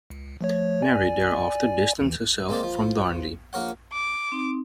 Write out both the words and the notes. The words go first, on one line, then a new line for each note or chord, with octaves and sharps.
Mary thereafter distanced herself from Darnley.
C#2
F3 A3 C#5
D5 G#5
D#2 E3
G#3 A#3 C4 D5
F3
A#1 A#3 A#4 C#5 F#5
D6
C4 D#4